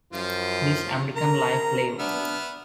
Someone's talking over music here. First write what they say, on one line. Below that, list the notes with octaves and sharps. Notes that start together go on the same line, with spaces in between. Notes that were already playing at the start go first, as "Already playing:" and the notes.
This American Life Live!
F#2 F3 F4
A#4 A#5
B3 D4 E5 F6